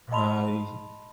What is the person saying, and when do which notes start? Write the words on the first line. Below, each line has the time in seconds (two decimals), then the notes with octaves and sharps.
Uh, you
0.12 D#5 A5 B5 C6 F7